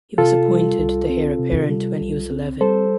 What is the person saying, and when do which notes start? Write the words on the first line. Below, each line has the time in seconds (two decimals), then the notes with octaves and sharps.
He was appointed the heir apparent when he was eleven.
0.18 C3 F4 A4
0.48 G3
0.79 C2
1.09 C4
1.40 C3
1.69 G3
2.01 C2
2.30 C4
2.61 G3 A4 C5